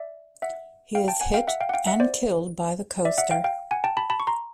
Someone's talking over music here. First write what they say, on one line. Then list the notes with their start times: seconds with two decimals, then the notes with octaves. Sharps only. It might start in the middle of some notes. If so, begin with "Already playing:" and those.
He is hit and killed by the coaster.
Already playing: D5 E5
0.42 E5 F#5
0.95 F5 G5
1.08 G5 A5
1.21 F#5 G#5
1.34 F5 G5
1.47 E5 F#5
1.61 F5 G5
1.69 F#5
1.73 F5 G5
1.87 E5 F#5
2.00 C5 D5
3.05 D5 E5
3.18 E5 F#5
3.31 F5 G5
3.44 F5 G5
3.71 F#5 G#5
3.84 G5 A5
3.97 A5 B5
4.10 A5 B5
4.20 C#6
4.27 A#5 C6